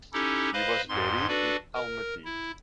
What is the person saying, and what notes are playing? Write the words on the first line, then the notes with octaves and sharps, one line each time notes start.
He was buried in Almaty.
C#4 D#4 E4 G4 A4
B4 C5 D#5 F5 B5
F2 G#2 C6
D4 F#4 A4 B4 D5
A#4
E4